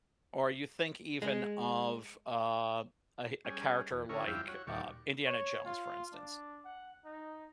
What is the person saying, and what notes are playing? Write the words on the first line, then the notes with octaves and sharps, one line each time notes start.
Or you think even of, uh, a he a character like, uh, Indiana Jones, for instance.
G#3
G3 C#4 G#4
E2
D3 C#4 E4 G#4 A#4 C#5
F2 G3 E4 E5 F5 G5
F#4 C#5
D#2 A#2 G3 D5 C#6
C#5
F4
D4
F#5
D#4